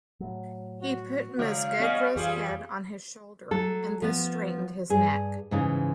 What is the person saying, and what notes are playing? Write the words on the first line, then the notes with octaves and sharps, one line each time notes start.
He put Mesgegra's head on his shoulder, and this straightened his neck.
A2 F#3
F#4
C#3 F#3 G#3 F5
G3 B3 C#4 D#5
F2 E3 G3 F4 G4 G#4
F#3 A4
F3 B3
G2 G#4
G#2 C#3 E3